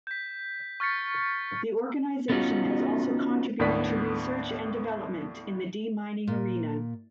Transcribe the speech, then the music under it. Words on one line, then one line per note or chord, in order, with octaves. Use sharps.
The organization has also contributed to research and development in the de-mining arena.
G6 B6
C#6 F6 A6 B6 C#7
B3 C#4 D#4 F4 F#4
D#2 A2 B3 D4 D5 B6
A#2